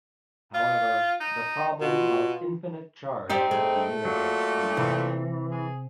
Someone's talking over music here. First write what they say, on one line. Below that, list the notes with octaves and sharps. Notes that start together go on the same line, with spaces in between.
However, the problem of infinite charge of the universe remains.
F4
D#4
B2 F4
C4 D#4 G4 C5 D5
A3 G#4
A#2 F#3
C3 E3
G#4